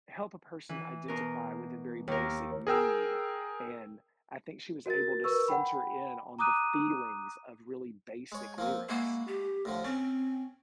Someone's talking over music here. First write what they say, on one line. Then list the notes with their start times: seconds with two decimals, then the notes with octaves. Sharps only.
help a person identify with a very basic need, and I think she was able to center in on the feelings of really basic lyrics.
0.69 E3
1.08 B2 A#4
2.08 D#2 A#4
2.67 G#4 A#4 G5 E6
4.86 F#4 A#4 A6
5.24 A#4 B4 C#6 E6
5.48 F#5 G5 B5
6.39 A#5 D6 D#6 F#6 D#7
8.32 G#3 C#5
8.58 F3 A#3 C4
8.89 G#3 A#3 E4 F#4
9.28 G4
9.65 A2 D3 F3
9.85 C4 C#4